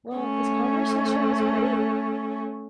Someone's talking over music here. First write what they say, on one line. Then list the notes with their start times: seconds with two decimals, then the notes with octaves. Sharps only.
Well, this conversation was great.
0.17 A3 C#4